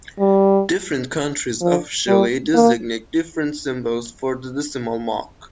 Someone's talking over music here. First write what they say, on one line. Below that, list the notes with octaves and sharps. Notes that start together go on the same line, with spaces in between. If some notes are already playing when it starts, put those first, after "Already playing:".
Different countries officially designate different symbols for the decimal mark.
G3
F3
G3
A#3